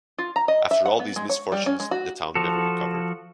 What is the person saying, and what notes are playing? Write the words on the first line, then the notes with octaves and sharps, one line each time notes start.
After all these misfortunes, the town never recovered.
F4
A#5
D#5
E5
F#5
B3
G#3
C#5
G3
C#4
G#3
F#4
F3 F#4 A4